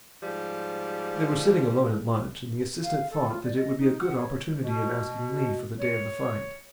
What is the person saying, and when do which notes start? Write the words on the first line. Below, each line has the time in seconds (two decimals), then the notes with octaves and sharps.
They were sitting alone at lunch, and the assistant thought that it would be a good opportunity of asking leave for the day of the fight.
0.23 G#2 F3 G3
2.83 F5
3.11 A4
3.29 F4
3.44 D5
3.56 D#5
3.79 D#4
4.00 F#5
4.17 C#5
4.60 B2
5.78 C#5